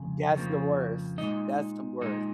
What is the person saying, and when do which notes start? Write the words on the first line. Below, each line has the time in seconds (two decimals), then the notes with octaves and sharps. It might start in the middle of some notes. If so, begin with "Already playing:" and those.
That's the worst. That's the worst.
Already playing: F2 C#3
0.35 F2 C#3 F3 A#3
1.18 A#2 G#3 D#4 D#5
2.01 A#2 G#3 D#4